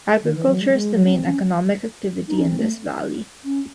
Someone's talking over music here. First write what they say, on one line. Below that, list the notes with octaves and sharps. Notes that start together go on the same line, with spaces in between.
Agriculture is the main economic activity in this valley.
D#3
E3
F#3
G#3
F#3
G#3
F#3
C#4
C4
C#4
D#4
C#4
C4
A3
C#4